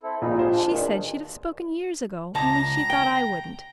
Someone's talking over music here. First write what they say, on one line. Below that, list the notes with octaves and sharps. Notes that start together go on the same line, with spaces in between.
She said she'd have spoken years ago, only she thought I wouldn't.
C4 E4 A4
A#1 A#2 C#3 D#4 F4 B5
F4 G4 G#4 C5
G#3 D4
E2 A#2 D#3 D4
C#2 A5 A#5
G5